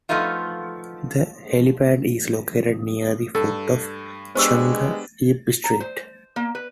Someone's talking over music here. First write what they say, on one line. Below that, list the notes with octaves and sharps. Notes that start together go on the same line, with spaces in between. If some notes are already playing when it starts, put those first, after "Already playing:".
The helipad is located near the foot of Cheung Yip Street.
F3 A3 B3 D#4 F4
G2 A4
G#3 B3 D4 G4 C5 C#6 E6
A#5
C5
A#3
B4